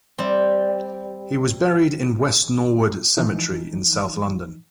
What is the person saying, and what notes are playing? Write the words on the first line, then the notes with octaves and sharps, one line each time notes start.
He was buried in West Norwood Cemetery in south London.
G3 C4
E3 F3 D#4